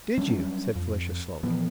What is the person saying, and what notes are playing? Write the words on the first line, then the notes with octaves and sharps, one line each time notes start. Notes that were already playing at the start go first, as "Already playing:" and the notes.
"Did you?" said Felicia slowly.
F#3 G3 C#4 D4
F2
A#2 E3 F3 B3